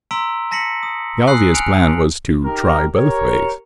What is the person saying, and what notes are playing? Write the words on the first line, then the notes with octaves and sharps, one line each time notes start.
The obvious plan was to try both ways.
A#5 C6 E6 B6 D7
A5 A#6 B6 C#7 F#7
D#6
G#5 D#6 E6 F#6 C7 F#7
G#5 F6 F#6 C#7 D7 F7
D#4 G4 A#4
G4 A#4 C#5